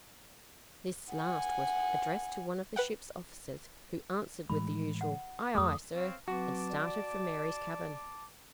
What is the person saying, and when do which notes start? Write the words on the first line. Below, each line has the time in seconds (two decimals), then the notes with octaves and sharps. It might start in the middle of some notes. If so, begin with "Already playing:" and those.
This last was addressed to one of the ship's officers, who answered with the usual "Aye, aye, sir," and started for Mary's cabin.
1.13 F#5 G#5
2.76 B4 F#5 G5
4.50 A2 E3 G#3 B5
5.01 F#5
5.55 F2 A3 G#4 D#6
5.95 C4 C#5 F5
6.28 F#3 C4 F#4 B4 A5 D6
6.70 D5